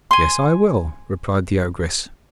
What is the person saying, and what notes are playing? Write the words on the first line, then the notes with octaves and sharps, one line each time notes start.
'Yes, I will,' replied the ogress.
G#5 C6